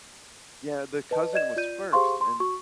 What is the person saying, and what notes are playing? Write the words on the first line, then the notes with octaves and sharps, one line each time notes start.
Yeah, the cousin was first and
B4 D#5 A5
D5 D#5 G#6 E7
F4 D5 G6 D#7
G4 G#4 C5 F5 C6 C#6
C6
F#4 C#6